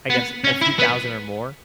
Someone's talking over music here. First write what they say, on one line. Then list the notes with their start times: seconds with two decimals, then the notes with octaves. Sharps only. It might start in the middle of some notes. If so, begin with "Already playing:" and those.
I guess, a few thousand or more?
0.10 B3
0.44 C#4
0.61 E4
0.79 B3